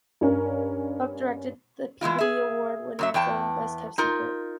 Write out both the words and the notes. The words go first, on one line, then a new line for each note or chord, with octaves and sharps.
Buck directed the Peabody Award winning film "Best Kept Secret".
G2 C#4 A#4
E3 G#3 E4 F4
G#4 E5
F#2 F#3 E5
E2 B3 G5 A5
D#4 F4 A#4